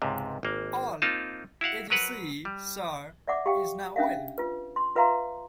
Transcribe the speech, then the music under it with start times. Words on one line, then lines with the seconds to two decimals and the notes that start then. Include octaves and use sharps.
All, as you see, sir, is now well.
0.02 C#2 G#2 C3
0.43 G#1 A#3
1.02 A#3 C4 D#4 F4 A5
1.61 E4 F#4 F5 F#5
1.90 F#3 A#4 B4 F#5
2.45 G3
3.28 D5 E5 F#5 D6
3.46 G4 F5 G5
3.96 C#4 D4 E5 F5
4.38 F4 B4
4.76 C6
4.96 F4 B4 E5 F5 A#5 C6